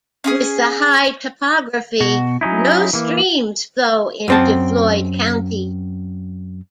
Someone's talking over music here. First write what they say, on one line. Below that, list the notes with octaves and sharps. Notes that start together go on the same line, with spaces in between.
With the high topography, no streams flow into Floyd County.
C#4 F4 G#4
B2 F#4
F#3 C#4 D#4 E4
E3 A#3
F#2 C4 A5